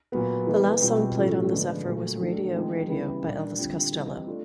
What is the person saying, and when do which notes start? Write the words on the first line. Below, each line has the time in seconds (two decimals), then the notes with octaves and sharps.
The last song played on The Zephyr was "Radio, Radio" by Elvis Costello.
0.12 A#2 F#3 B3
0.47 E3 G#3 B3
0.81 B2 G3 C4 F4
1.16 A2 F3 A3 C#4 F4
1.50 D3 F3 G#3 B3 D4
1.85 A#2 F#3 A3
2.20 D#3 F#3 A3 D4
2.54 D#3 G#3 C4 F4
2.89 C#3 E3 G3 B3 E4
3.23 A#2 G3 A#3 D4
3.58 D3 G3 C4 F4
3.92 E3 G3 C4 D#4
4.27 A3 D4 F4